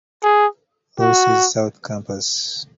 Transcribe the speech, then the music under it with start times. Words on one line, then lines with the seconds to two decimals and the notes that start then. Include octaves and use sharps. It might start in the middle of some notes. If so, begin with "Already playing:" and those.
Louis' South Campus.
0.24 G#4
1.00 F#4